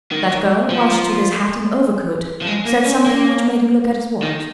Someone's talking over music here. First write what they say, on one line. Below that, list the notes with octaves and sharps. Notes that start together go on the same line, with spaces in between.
That girl, while she took his hat and overcoat, said something which made him look at his watch.
D#3
F3
F3
G#3
A#3
C#4
A#3
D#3